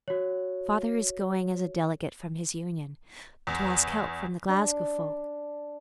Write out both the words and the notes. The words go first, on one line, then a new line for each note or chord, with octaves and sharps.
Father is going as a delegate from his Union, to ask help from the Glasgow folk.
F#4 C#5
E2
D4